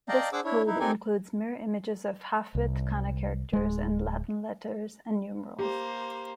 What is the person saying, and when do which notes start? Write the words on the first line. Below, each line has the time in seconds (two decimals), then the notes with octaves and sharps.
This code includes mirror images of half-width kana characters and Latin letters and numerals.
0.09 D5 D#5 F5 G5 A5 A#5
0.33 D4 G#4 C5 F#5 D6 E6
0.45 D4 E4 C#5
0.66 D#4 E4
0.80 C4 D#4 G4 A4 A#4 G#5
2.55 C2
3.53 D1 G#3
5.59 A#3 G4 C5